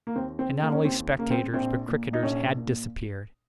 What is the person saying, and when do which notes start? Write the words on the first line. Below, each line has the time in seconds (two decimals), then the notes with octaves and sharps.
And not only spectators but cricketers had disappeared.
0.07 A#3
0.16 D#2 C4
0.39 C4
0.50 C#3
0.62 A#3
0.73 C#4
0.85 D#2 C4
1.19 C#3 A#3
1.31 C4
1.53 A#1 C4
1.88 A#2
2.13 D#4
2.23 A#1 C#4
2.57 A#2